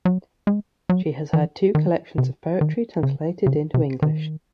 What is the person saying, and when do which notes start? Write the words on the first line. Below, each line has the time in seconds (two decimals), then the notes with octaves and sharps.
She has had two collections of poetry translated into English.
0.05 F#3
0.47 G#3
0.89 F#3
1.33 E3
1.75 D#3
2.18 C3
2.61 D#3
3.03 C#3
3.46 C#3
3.74 C3
4.02 D#3